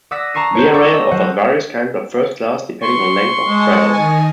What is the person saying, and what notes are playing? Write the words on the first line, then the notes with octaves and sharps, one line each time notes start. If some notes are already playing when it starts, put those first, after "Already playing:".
Via Rail offers various kinds of first class depending on length of travel.
D5 F#5 D#6 E6 A#6 B6
A5 A#5 C#6 C7 D#7
C5 C#5
D5 A5 C#6 D#6 E6
D#5 E6
F#3 C5 F#5
C6 C#6
G#3 D#5 G#5 A5
D#3 D#5 G#5